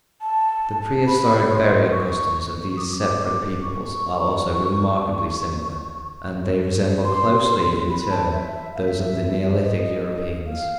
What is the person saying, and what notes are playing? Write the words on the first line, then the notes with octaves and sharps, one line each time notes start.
The prehistoric burial customs of these separate peoples are also remarkably similar and they resemble closely in turn those of the Neolithic Europeans.
A5
B5
C#6
C6
C#6
D#6
D6
C#6
C6
B5
A5
E5
E5
F5
E5
D#5
F5